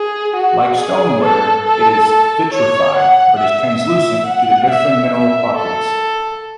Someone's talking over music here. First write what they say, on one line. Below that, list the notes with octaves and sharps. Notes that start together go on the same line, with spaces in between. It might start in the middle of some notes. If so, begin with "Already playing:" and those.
Like stoneware it is vitrified, but is translucent due to differing mineral properties.
Already playing: G#4
F#4
G#4
A4
A4
A4
C#5
F#5
E5
E5
F#5
E5
E5
A4